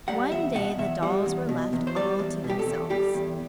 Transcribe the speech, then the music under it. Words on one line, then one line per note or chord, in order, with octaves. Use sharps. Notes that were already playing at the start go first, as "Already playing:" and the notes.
One day the dolls were left all to themselves.
G3 F#5
E2 E5
B2 F#5
E2 E5
G3 F#5
E2
B2
E2
C5
G3 D5
E2
B2
G4
A4
E2
G3 G4
E2